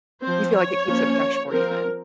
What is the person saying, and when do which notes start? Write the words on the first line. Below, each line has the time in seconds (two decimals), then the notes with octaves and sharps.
You feel like it keeps it fresh for you, then?
0.23 F3 C4 C5
0.56 C#5
0.87 F3 A#3 C#4
1.51 F3 C4 A#4